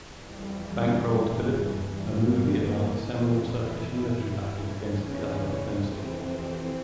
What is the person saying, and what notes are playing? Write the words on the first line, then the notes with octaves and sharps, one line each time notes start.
Bankrolled "Gallipoli", a movie about the seminal Turkish military battle against the Allied offensive.
F2 E3 G3
G2 E3 G#3
G2 E3 A#3
A#3
F2 E3 C4
E4
G2 E3
E2 C#3 E3 C#4
F2 C3 E3 C4
E3